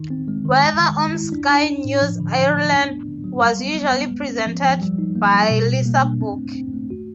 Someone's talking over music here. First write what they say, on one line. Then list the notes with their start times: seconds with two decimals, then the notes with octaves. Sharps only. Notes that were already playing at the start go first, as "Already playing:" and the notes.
Weather on Sky News Ireland was usually presented by Lisa Burke.
Already playing: D#3 D#4
0.10 C4
0.28 G#3
0.45 D#3
0.63 G#3
0.80 D#3
0.98 G#3
1.15 E4
1.32 D4
1.50 D4
1.67 D4
1.85 A2
2.02 F3
2.20 D3
2.37 F3
2.54 A3
2.72 D4
2.90 B3
3.07 D3
3.24 F#3
3.42 G3
3.59 B3
3.77 B3
3.94 B3
4.12 G#3
4.29 C#4
4.47 F3
4.64 F3
4.81 G3
4.98 D#4
5.16 A#3
5.34 G3
5.51 B2
5.68 B2
5.86 A#3
6.03 D4
6.21 C4
6.38 A3
6.55 C4
6.73 A3
6.90 F#4